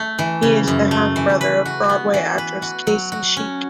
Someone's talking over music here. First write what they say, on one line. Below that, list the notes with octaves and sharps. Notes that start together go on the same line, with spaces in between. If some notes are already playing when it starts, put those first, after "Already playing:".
He is the half brother of Broadway actress Kacie Sheik.
Already playing: A3
E3
C#3
F#2
A3
E3
B4
F#4
B3
E3
B4
F#4
F#3
F#4
C#4